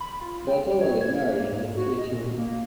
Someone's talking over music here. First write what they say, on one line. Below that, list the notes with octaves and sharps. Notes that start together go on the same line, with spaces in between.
Bartolo is married and has three children.
B5
F4
G5
C#5
G#6
A#3
G#2
F#4
D#5
A#2
A#3